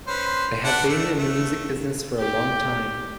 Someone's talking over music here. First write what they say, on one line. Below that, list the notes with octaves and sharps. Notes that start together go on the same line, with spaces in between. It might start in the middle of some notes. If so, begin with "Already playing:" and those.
They have been in the music business for a long time.
C#4 B4 C5
D4 B4 F#5
A3
A3
G4